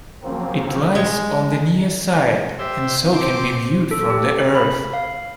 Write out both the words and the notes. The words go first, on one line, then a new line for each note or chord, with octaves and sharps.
It lies on the near side and so can be viewed from the Earth.
C#3 F3 F#3 A#3 C4
G#3
G4 C5 E5
C4 C5 D6
A4
G4
B5
F5